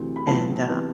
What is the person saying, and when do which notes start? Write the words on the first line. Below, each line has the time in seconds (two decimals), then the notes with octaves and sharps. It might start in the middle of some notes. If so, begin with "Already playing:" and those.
and uh
Already playing: D2 C3 E3
0.16 B5
0.27 B1 A2 E3 B3 F4 A5
0.69 C3 E3 B3